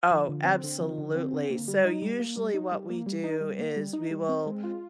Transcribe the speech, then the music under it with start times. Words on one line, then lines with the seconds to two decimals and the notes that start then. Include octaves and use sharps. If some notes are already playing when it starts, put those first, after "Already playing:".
Oh, absolutely, so usually what we do is we will
0.11 F3
0.29 D3
0.45 C4
0.64 D3
0.81 F3
0.98 D3
1.15 C4
1.33 D3
1.50 A#3
1.68 G3
1.85 D#4
2.02 G3
2.19 A#3
2.37 G3
2.54 D#4
2.72 G3
2.90 A#3
3.06 G3
3.24 D#4
3.41 G3
3.59 A#3
3.77 G3
3.93 D#4
4.11 G3
4.29 C4
4.46 G#3
4.64 F4